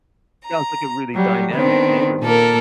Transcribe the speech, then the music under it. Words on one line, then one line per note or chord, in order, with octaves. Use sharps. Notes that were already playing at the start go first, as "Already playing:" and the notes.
Sounds like a really dynamic neighborhood.
A#5
F#3 G3
D#3 B3 C4 D4
A#2 A#3 A4 A#4